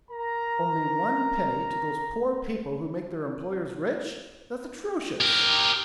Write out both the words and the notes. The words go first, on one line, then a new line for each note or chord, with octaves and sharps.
"Only one penny to those poor people who make their employers rich! That's atrocious!"
A#4 A#5
G4 A#4